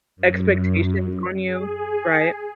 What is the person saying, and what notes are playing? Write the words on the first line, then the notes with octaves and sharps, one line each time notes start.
expectations on you, right?
F#2
G#4